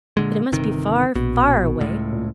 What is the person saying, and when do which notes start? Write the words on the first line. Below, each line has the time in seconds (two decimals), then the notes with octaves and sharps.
But it must be far, far away!
0.17 A#2 D3 G#3
0.52 G1 C3 D#3
1.15 A#1 B2
1.81 C#2 A2
2.13 A#2